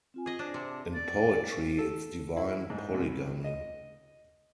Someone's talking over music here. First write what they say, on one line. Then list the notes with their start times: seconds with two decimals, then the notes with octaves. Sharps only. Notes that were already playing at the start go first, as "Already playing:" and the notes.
In poetry it's divine polygamy.
0.14 C4 F4 G#5
0.26 G#4 D#5
0.39 D4 C5
0.54 C3
0.69 A5
0.94 D5
1.78 A4
2.37 E4
2.70 G#2
2.94 C2
3.44 D#5